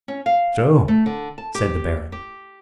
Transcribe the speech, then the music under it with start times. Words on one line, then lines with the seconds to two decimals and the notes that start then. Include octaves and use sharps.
"So?" said the Baron.
0.08 C#4
0.26 F5
0.88 A3
1.06 D3
1.38 A5
1.55 G4
2.12 G4